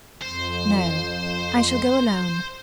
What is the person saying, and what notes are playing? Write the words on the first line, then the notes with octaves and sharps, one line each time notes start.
"No; I shall go alone."
F2 C5